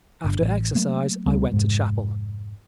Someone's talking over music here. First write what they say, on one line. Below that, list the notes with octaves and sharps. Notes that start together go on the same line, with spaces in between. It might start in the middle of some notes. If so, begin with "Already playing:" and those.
After exercise I went to chapel.
G1 D3
A1
F#3 A3 A#3
C#2 G3 A3 C4
F1 G#2 G#3